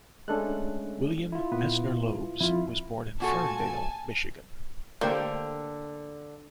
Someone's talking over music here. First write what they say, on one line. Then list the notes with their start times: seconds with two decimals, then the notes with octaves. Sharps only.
William Messner-Loebs was born in Ferndale, Michigan.
0.28 G#3 A3 C#4 D4 A4 F#6
1.32 E4 F4
1.52 A#2 B3 B4
2.41 F2 E4 F4
3.20 A#2 F#4 A4 G#5 A5
5.01 D3 A3 A#3 D4 G4 C5 D5 G5